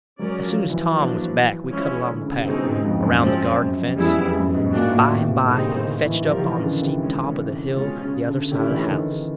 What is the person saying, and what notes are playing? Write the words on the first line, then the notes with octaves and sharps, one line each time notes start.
As soon as Tom was back we cut along the path, around the garden fence, and by and by fetched up on the steep top of the hill the other side of the house.
F#3 G#3 C#4 F#4 A#4 D5
F3
E3
F3 A#3 D4 F#4
F3 G#3 C#4 E4 G#4
D3
C#3
C3
B2 G#3 C4 D#4
G#2
F2
F#2
F#2 F3 G#3 C4
F#2
F#2
F2
E2 G3 B3 E4 G#4
E2
F2
F#2
G#2
B2
A#2 A#3 D4 F#4
A2
A#2
C3
B2
C3
D#3
D3 G3 C4 D#4 G#4 C5
D#3
D#3
E3
F3 G3 C4 F4 A#4
D#3
E3
C#3
D3
C3
D#3 G#3 C#4
B2 G#3 C#4 F4 G#4
C#3
D3
D#3 A3 C#4 E4 G4
E3
D3
D#3
D3